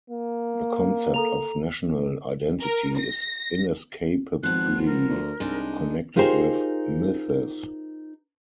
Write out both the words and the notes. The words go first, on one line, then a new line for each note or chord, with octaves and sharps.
The concept of national identity is inescapably connected with myths.
A#3
A4 A#5 F7
A#4
A#6
G#1 F3 B3 F#6
A#4
D2
C2 G#3 D4 D#4
D#4 F4 G4 G#4 A#4 C5